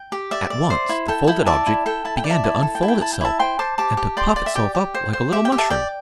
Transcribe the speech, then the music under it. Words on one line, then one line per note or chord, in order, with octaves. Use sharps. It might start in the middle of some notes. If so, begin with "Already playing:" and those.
At once the folded object began to unfold itself and to puff itself up like a little mushroom.
Already playing: G5
G4
D5 E5
D5
C5
E4
A4 G5
E4 G5
D5 E5 A5
E4
A4 G5
E4 A5
G5
D5
E5 A5
E4
A4
G5
E4
G5
E4 A5
G5
E4 E5 A5
C5 G5 C6
C5 A5 D6
G4 A5 D6
G4
D5 G5 C6
D5
E5
G4 G5
G4
C5
C5
G4 E5
G5
G4
E5 A5
D5 G5